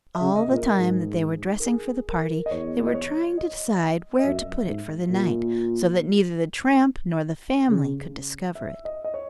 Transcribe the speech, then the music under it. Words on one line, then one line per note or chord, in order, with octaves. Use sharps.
All the time that they were dressing for the party, they were trying to decide where to put it for the night, so that neither the tramp nor the family could discover it.
E5
C#3
D#5
A#2
A#4
G#2 G#4
A#4
G#4
A#4
D#5
E2 C#5
D#5
C#5
D#5
D#5
F#2 E5
G#2
A#2
C#3
E5
D#5
D#5
C#5